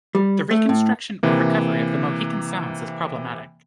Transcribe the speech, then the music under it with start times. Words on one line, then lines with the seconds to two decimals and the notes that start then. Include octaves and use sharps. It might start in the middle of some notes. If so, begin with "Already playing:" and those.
The reconstruction or recovery of the mochican sounds is problematic.
0.15 G3
0.51 A3
0.69 A2
1.23 C3 E3 A#3